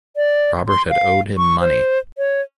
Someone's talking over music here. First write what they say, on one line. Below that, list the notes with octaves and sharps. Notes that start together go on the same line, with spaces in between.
Robert had owed him money.
D5
C6
F5
C#6
C5
C#5